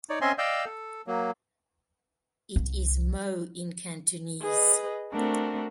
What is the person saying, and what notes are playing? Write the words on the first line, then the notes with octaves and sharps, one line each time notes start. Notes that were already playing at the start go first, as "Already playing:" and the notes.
It is Mo in Cantonese.
D#4 C#5 D5
C4 C#4 D#5 E5 G#5 C6
D5 D#5 F5 G5 E6 G6
A4
F#3 A#3
C2
G#4 B4 D#5
A3 C4 D4 F#4 A#4